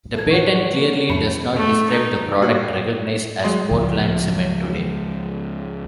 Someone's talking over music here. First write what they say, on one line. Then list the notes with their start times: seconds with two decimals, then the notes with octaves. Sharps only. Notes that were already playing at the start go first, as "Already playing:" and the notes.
The patent clearly does not describe the product recognised as Portland cement today.
0.14 A1 A4 G#6
0.31 C#5 F#5 C#6
0.76 G3 A#3
1.09 C2 F2 B5 C#7
1.56 A3
1.90 D#4
2.42 A#2 F#4
3.44 F#3 G#3 D#5 C6
3.71 C#2 F3